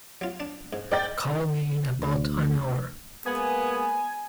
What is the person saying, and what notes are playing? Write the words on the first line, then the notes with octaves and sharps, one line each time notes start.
Call me in about an hour.
F#3 F4
D4 A5
G#2
G#2 D5 G5 A6
D2
G#3 A#3 B3 G#5